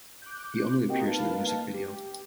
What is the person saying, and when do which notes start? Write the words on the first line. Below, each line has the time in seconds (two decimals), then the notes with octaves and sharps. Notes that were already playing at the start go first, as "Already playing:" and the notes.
He only appears in the music video.
0.22 D6 F#6 G6
0.88 A#3 C4 F#4 G4 D#5 G5
1.07 A#3 D#4 B4 F5 A5
1.74 G4